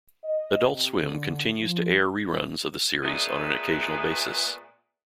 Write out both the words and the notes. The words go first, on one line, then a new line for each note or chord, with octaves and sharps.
Adult Swim continues to air reruns of the series on an occasional basis.
D#5
C3
D3
F3
A#2 G#3 A3 B3 G#4